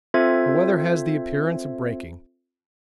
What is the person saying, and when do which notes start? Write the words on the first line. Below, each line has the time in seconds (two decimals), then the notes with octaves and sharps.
The weather has the appearance of breaking.
0.14 C4 F4 A4 C5 E5 G#6